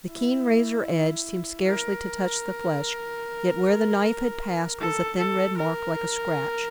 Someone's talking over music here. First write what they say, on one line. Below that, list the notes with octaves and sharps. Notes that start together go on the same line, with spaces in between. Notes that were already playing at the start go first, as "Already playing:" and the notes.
The keen razor edge seemed scarcely to touch the flesh, yet where the knife had passed was a thin red mark like a scratch.
E4
A#4
A4
A4
A#4